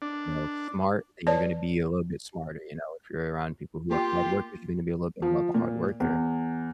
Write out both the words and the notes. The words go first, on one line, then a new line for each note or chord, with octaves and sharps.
you know, smart, then you're gonna be a little bit smarter, you know, if you're around people who are hard workers, you're gonna be a little bit more of a hard worker,
D4
B4 C#5 D5 A5
A#3 F4 G4 C6
F3
A#2
E2